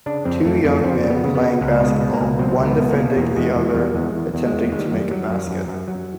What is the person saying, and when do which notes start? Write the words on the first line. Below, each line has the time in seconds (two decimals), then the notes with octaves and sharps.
Two young men playing basketball, one defending the other attempting to make a basket.
0.06 C#3 D4
0.25 F2 C4
0.45 F2 A3
0.64 F2 A3
0.83 F2 C4
1.04 C#3
1.10 B3
1.23 C#3
1.35 B3
1.42 C#3
1.61 C#2 G#3
1.81 B2
1.87 G#3
2.00 B2
2.13 A#3
2.20 C#2
2.39 F#3 C4
2.58 C#2
2.66 B3
2.77 B2
2.91 A#3
2.97 B2
3.16 E2 A#3
3.36 E2 G#3
3.55 E2 G#3
3.74 E2 G3
3.95 E2 G#3
4.13 E2
4.34 E2
4.46 G#3
4.52 E2
4.72 D#3 G#3
4.79 G3
4.91 F#2 G3
5.11 F#3
5.30 F#2
5.50 F#2
5.68 F#2
5.88 F#3